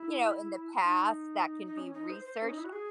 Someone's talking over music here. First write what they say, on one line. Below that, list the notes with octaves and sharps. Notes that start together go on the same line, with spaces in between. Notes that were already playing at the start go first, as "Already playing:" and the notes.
you know, in the past that can be researched.
Already playing: E4
D#4
D#4
C#4
D#4
C5
C5
C#4
D#4
E4
F#4
G#4